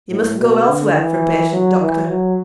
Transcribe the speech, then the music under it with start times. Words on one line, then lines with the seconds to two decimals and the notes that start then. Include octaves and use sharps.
You must go elsewhere for a patient, Doctor.'
0.10 A2
0.38 B2
0.68 D3
0.96 E3
1.52 F#3
1.81 E3
2.10 F#3